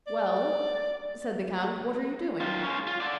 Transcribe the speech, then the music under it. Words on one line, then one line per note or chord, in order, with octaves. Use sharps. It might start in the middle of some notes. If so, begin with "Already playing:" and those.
"Well," said the count, "what are you doing?"
D5
D#3 F4
G#3 C#4
F4
D3 D5